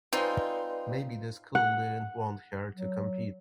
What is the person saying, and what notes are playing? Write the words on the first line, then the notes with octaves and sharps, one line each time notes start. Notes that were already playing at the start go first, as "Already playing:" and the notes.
Maybe the school didn't want her to compete.
G#3 C4 D#4 F4 B4 D5
F#5
F#3